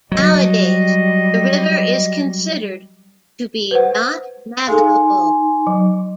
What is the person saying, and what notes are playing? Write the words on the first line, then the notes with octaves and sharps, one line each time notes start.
Nowadays the river is considered to be not navigable.
F#3 G3 D#5
B4 C5 F#5
D#4 G#4 A4 F5 G#5 C6
F#3